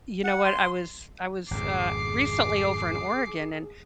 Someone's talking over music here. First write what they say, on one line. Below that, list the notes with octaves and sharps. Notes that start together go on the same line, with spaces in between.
you know what? I was I was, uh, recently over in Oregon and,
F#5
C6
G#1 F2 C#3 G#4 D6 C7